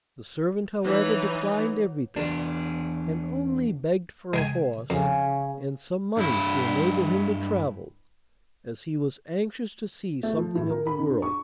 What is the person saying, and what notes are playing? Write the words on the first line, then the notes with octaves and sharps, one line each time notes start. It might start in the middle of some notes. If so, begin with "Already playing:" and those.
The servant, however, declined everything, and only begged for a horse and some money to enable him to travel, as he was anxious to see something of the world.
E3 F#3 D#4
E2 D4
G#3 G5 G#5
F2 C#3
G2 E4
A3
F3
A2
A#4
B5
C#3
D4
C#6